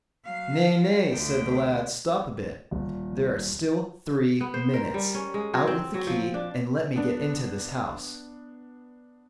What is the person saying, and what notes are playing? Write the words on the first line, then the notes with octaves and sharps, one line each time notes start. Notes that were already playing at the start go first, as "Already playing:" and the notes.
'Nay, nay!' said the lad; 'stop a bit, there are still three minutes! Out with the key, and let me get into this house.'
F#3 F5
D2 G5
D#1
B3
C5
A#4
G3
C#4
G#3
F#3
C4
F#3
F3
D4
B3 D4